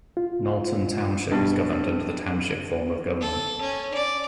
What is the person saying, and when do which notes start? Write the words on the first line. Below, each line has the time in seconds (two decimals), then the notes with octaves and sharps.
Knowlton Township is governed under the Township form of government.
0.17 F4
1.31 G2 B2
3.21 A4
3.61 C#4
3.94 D5